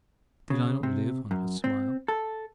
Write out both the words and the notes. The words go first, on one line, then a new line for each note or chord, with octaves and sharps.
Did I not live on her smile?
C#3
C3
F#2
C4
A4